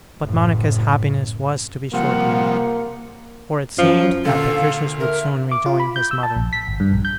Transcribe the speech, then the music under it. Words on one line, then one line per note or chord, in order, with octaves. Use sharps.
But Monica's happiness was to be short-lived, for it seemed that Patricius would soon rejoin his mother.
F#1 A2
C3 F3 G3 A#3 F#5
F#2 F3
D2 A#2 A4 F5
A#4 E5
D6
F4
B5
G6
E6
A5
A#1
B6
G#1
G2
A#1
G6